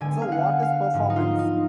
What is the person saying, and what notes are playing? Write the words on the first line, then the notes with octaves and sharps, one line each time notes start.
So what is performance?
D3 G#3 B3 G#5
F5
F#5
F5
G#2 F3 B3
D#4
F4
D#4